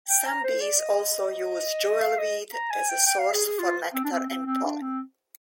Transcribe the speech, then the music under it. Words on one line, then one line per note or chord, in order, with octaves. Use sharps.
Some bees also use jewelweed as a source for nectar and pollen.
G5
A#5
C5
D5
D#5
F5
D#5
A#5
G#5
G5
G5
F5
G#4
G#4
F4
C4
D4
C4
C4
C4
D4
C4